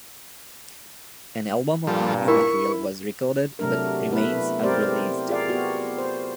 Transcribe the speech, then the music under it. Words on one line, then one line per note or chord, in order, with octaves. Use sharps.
An album of new material was recorded, but remains unreleased.
G2 A#2 F3 G3 A4
E4 A#4 C#6
C3 F#3 A3 D4 A#4
A3 B3 E4 B4
C4 G4 A#4 C5 D5
F4 G#4 A#4 D5 F5
B3 F#4 G4
C5